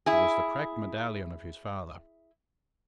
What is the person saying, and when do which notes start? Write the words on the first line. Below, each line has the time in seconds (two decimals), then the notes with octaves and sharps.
It was the cracked medallion of his father.
0.06 E4 G#4